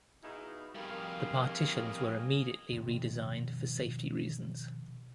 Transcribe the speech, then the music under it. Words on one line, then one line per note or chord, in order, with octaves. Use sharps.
The partitions were immediately re-designed for safety reasons.
B3 D#4 E4 F#4 G#4 F5
F2 G3 A#4 D#5 F5 G#5
B2 D#3 F3 C4